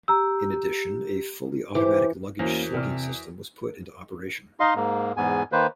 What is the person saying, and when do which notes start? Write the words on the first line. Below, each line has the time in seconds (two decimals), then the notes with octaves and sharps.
In addition, a fully automatic luggage sorting system was put into operation.
0.08 G4 A#5 E6
1.75 E3 G4 C5 D6
2.39 E2 A#3 C#4 F#4 A#4 C5
2.74 C3 D5 F6
4.60 D#4 D#5 F5 C6
4.76 G#2 A#3
5.17 E2 G#2 B3 G#5
5.52 D#3 A#3 B4 C5